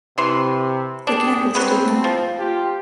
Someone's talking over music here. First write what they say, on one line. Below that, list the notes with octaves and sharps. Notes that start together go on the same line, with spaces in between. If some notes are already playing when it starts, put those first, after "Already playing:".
The campus did not.
C3 E3 C6
D4 G4 G#4
F#3 B3 C4
F3
F4 G4